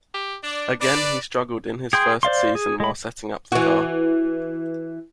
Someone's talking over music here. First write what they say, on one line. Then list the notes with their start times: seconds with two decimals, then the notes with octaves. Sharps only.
Again he struggled in his first season while setting up the car.
0.14 G4
0.43 D4 D5
0.81 D4 B4 D5
1.93 G#4 G5 C6
2.23 C5 D5 F5 C6
2.55 G#4
2.80 G#3 B5
3.52 E3 F#4